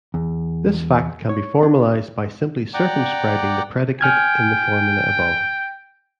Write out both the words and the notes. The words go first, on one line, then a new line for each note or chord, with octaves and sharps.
This fact can be formalized by simply circumscribing the predicate in the formula above.
E2
C#5
D4
D5 F#5 G5 A#5 D6
G5 G#5 F6 G#6